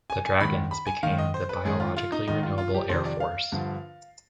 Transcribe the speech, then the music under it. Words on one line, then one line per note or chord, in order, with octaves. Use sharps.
The dragons became the biologically renewable air force.
G#5
G#5
G#2 D#3 B5
B5
G#5
G#2 D#3 F5
D#5
C5
B4
G#2 D#3 G#4
F4
F4
D#4
G#2 D#3 D#4
F4
F4
G4
F2 C3 D#3 C5
D5
F5
G2 D3 F3